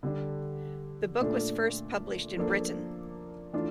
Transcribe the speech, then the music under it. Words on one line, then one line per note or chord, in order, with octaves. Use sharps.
The book was first published in Britain.
D3 G3 D4
A#2 A3 D4 A4
F3 A#3 D4 A4
E3 A3 D4 F4